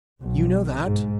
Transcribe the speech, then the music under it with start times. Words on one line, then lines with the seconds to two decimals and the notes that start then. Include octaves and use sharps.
"You know that?"
0.20 B1
0.81 G#2